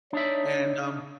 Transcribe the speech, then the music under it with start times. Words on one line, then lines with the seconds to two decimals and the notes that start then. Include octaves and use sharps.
And, um
0.13 D4 D#4 C#5 E5